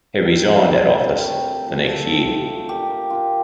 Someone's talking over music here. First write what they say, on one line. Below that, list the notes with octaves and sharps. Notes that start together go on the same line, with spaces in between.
He resigned that office the next year.
C3
A#3
D4
G3
C3 G4
A3
C4
F3
A2 A4
D4
A2
A3
A#2 G4
A#3
D4 F4